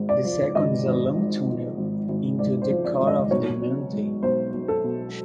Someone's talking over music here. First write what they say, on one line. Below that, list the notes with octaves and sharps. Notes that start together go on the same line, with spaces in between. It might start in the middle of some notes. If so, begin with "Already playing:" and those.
The second is a long tunnel into the core of the mountain.
Already playing: G#1 G#2
D5
F3
G#1 D#5
G#1
G#2
F3
G#1
G#1
G#2 D5
C5
F3
D5
G#1
D#5
B1 C#5
B2
G#3
B1 C5
B1
A4
B2